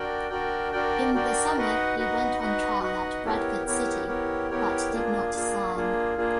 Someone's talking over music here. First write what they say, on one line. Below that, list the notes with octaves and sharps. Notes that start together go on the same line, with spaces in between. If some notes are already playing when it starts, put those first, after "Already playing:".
In the summer he went on trial at Bradford City, but did not sign.
Already playing: D4 F#4 A#4 D5 G5
D4 F#4 A#4 D5 G5
D4 F#4 A#4 D5 G5
D4 F#4 A#4 D5 G5
D#4 F#4 B4 D#5 F#5
D#4 F#4 B4 D#5 F#5
D#4 F#4 B4 D#5 F#5
D#4 F#4 B4 D#5 F#5
B3 E4 G4 A#4 C#5
B3 E4 G4 A#4 C#5
B3 E4 G4 A#4 C#5
B3 E4 G4 A#4 C#5
A#3 D4 F4 G#4
A#3 D4 F4 G#4
A#3 D4 F4 G#4
A#3 D4 F4 G#4